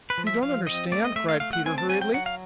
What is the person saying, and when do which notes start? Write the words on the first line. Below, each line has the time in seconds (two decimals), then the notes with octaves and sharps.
"You don't understand," cried Peter hurriedly.
0.10 B4
0.18 F3
0.27 E5
0.43 F3 F5
0.67 C4 D#5
0.92 A3 D5
1.04 D#5
1.16 A3 E5
1.29 F5
1.40 A3 F5
1.53 F#5
1.66 C4 G#5
1.78 A5
1.89 F#3 G#5
2.01 G5
2.14 F#3 F#5
2.26 F5